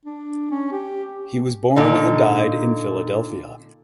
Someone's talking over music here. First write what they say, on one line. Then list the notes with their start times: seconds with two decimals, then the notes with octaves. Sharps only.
He was born and died in Philadelphia.
0.06 D4
0.51 C#4
0.72 G4
1.76 A#2 D3 D#4